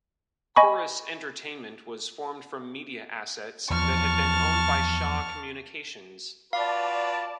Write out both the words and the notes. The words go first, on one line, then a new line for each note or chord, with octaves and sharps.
Corus Entertainment was formed from media assets that had been owned by Shaw Communications.
D#5 G#5 B5 C#6
E2 F3 A5 C#6 F6
F4 F#4 B4 D5 F5 A5